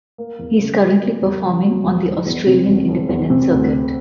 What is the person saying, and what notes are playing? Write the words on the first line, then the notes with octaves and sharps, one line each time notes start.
He is currently performing on the Australian independent circuit.
A#3
E2
C#3
F#3
A#3
E2
C#3
F#3
E1
E1
E2
C3
E1
E1
E2
C3
D2
D2